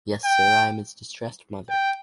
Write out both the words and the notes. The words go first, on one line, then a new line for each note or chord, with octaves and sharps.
Yes, sir, I am his distressed mother.
G5
G5